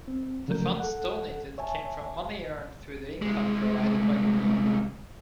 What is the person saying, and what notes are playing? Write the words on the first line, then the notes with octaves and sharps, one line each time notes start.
The funds donated came from money earned through the income provided by Google.
C4
C#3 F3 F#3 A3 A#4 G6
A4 F#5
C#5 E5 G#5 A5
C2 G#3